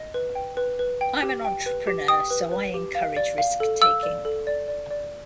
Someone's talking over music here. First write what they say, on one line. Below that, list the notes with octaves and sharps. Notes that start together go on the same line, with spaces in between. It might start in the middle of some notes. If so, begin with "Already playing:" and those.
I'm an entrepreneur, so I encourage risk-taking.
Already playing: D#5
B4
G5
B4
B4
G5
G4
G5
B4
G4
G5 D#6
B4
B4
G4
F5
D5
F5
A4
F5 E6
D5
A4
D5
D5
D5